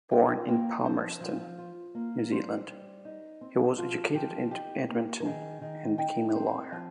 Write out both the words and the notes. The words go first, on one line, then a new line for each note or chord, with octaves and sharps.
Born in Palmerston, New Zealand, he was educated in Edmonton and became a lawyer.
F4 G5
A#3 G5
F3 C5
F3
F4
A#3
G3 C5
G3
D#4
C4
F3 F4
F3 G4
D#4 G4
A#3
A#4
D#3 G#4
D#3
D#4 G5
C4
F3